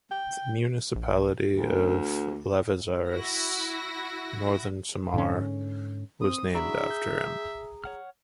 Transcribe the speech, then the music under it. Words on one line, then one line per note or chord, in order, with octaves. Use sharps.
The municipality of Lavezares, Northern Samar was named after him.
G5
A#1
D2
E4 F#4 A#6
G#2 D3 C#4
C4 D#6
D4 E4 F#4 G#4 E5 A#5
G6
C#5 F#5 F6